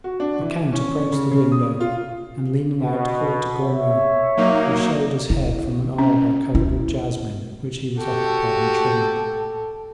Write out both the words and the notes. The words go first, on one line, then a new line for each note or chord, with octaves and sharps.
The count approached the window, and leaning out, called to Grimaud, who showed his head from an arbor covered with jasmine, which he was occupied in trimming.
F#4
D4
E3
C#4
C#3
C#3
D#6
F4
B2
C#5 E5
F#3 A#3 D#4
E4
C#4
E4
F#4 G4 A4